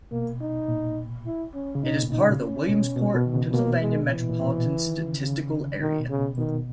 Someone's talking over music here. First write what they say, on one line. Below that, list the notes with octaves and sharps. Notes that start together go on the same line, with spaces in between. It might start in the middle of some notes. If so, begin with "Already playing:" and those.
It is part of the Williamsport, Pennsylvania Metropolitan Statistical Area.
B2 A#3
D#4
A#2
E4
C#4
C#3
B2 D#4
A#2
D#4
C#3
C#4
B2
B2
B2
D#3
C#3
B2 A#3
G#3
A#2 E3
A#2
B2
C#3
D#3
C#3
C#3
B2 D#3
B2
C#3
B2
B2 D#3